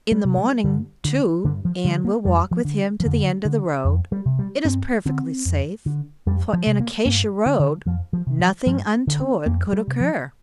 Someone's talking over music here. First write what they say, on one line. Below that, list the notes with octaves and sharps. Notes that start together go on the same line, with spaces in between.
In the morning, too, Anne will walk with him to the end of the road; it is perfectly safe, for in Acacia Road nothing untoward could occur.
G3
C3
G3
G2 D3
D3
G2 D3
F3
D3 G3
A#3
F2 G3
F3
D3
F3
F2 D3
D3
F2
G3
C3
G3
G2 C4
D3 C4
F2
D3
F2 G3
F3
C3
A#3
G2 A#3
D3
D3
F2 F3
F3
C3
F3
G2 F3
D3
C4
F2 A#3
G3
C3
F3